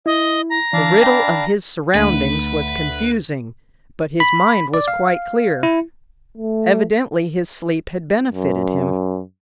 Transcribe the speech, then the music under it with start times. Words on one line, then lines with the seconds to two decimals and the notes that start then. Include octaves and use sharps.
The riddle of his surroundings was confusing but his mind was quite clear--evidently his sleep had benefited him.
0.06 E4 D#5
0.50 A#5
0.73 E3 D4 D5 F5
1.02 G5 B5
1.95 D2 B4
4.20 B5
4.74 D5
4.88 F5
5.63 E4
6.37 A3
8.32 F#2